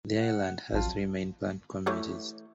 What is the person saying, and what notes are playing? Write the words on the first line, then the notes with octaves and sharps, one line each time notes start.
The island has three main plant communities.
F#5
A1 F2 F#3 F4 A5
E3 A3 C#5